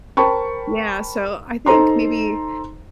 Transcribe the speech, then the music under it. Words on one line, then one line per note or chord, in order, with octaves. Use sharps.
yeah, so I think maybe
A#4 C5 G5 A5 B5 C#6
D#4 A4 C5 A#5 C6